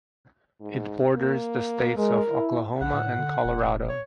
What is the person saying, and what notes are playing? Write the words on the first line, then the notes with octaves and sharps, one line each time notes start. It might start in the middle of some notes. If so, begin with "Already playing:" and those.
It borders the states of Oklahoma and Colorado.
G#2
A#3
G#3 A#4
E4
A#1 F#5
A2
D3
E1
C#5